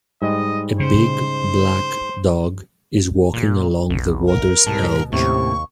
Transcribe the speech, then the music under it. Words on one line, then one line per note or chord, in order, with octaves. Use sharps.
A big, black dog is walking along the water 's edge.
G#2 G3 G#3 D#5
C#3 C5
A#2
B1
A#4
C2 G#2 B2 A5
D#2 A2 C3 A#3 C#4 C#6